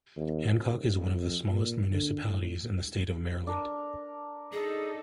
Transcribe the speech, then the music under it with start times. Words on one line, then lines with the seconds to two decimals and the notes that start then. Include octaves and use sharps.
Hancock is one of the smallest municipalities in the state of Maryland.
0.16 D#2
0.50 D#1
1.14 F2
1.49 A#2
1.92 D3
2.24 A2
3.47 D4 A#4
4.52 D#4 G#4 A4